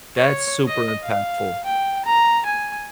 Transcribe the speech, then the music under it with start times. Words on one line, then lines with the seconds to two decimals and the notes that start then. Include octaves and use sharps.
that's super impactful.
0.17 C#5
0.68 D#5
1.03 F5
1.64 G5
2.05 A#5
2.46 G#5